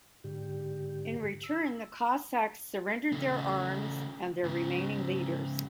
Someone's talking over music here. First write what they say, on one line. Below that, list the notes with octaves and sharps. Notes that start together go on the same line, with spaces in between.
In return, the Cossacks surrendered their arms and their remaining leaders.
G#2 D3 G4
E6
C#3 A3
G#2 C#3